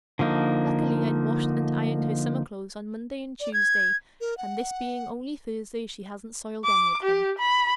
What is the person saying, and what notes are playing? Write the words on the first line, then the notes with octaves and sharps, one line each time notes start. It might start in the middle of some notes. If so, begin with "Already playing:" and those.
"Luckily I'd washed and ironed her summer clothes on Monday and Tuesday, and this being only Thursday, she hadn't soiled any of them."
D3 F3 A#3 D#4
D5
G#6
A#4
F#5
D6
G4
B5